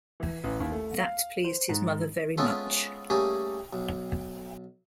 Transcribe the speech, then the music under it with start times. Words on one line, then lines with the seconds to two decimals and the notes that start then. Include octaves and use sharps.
That pleased his mother very much.
0.20 E3
0.44 A1
0.60 D#2
0.72 A3
1.00 F5
1.44 C5
1.69 G#2
2.38 G#3 B3 C#4 E4 F4 A4
3.10 G3 A3 A#3 C#4 G4 G#4
3.73 B1